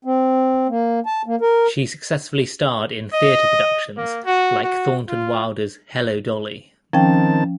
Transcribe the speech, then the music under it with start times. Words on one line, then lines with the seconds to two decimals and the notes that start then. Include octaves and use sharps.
She successfully starred in theatre productions like Thornton Wilder's Hello, Dolly!
0.05 C4
0.68 A#3
1.06 A5
1.26 A#3
1.41 A#4
3.12 D#5
3.95 A#3
4.25 F#4
4.63 F#4
5.07 F4
6.93 D#3 F3 C4 C#4 G5 A5